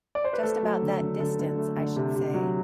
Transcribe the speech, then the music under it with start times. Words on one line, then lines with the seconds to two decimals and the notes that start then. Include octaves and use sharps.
Just about that distance, I should say.
0.15 D5
0.24 C5
0.33 B4
0.43 A3 A4
0.63 F#3
0.82 D3
1.01 D3
1.19 D3 A4
1.39 D3
1.58 A3
1.77 D3
1.96 C3
2.15 C3
2.34 F#3